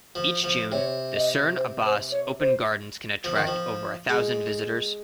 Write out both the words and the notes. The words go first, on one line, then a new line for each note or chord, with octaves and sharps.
Each June, the Cerne Abbas Open Gardens can attract over a thousand visitors.
F3
F3
C3 C#5
D#5
C5
C5
C#5
C5
F3
D#3
F3
G#3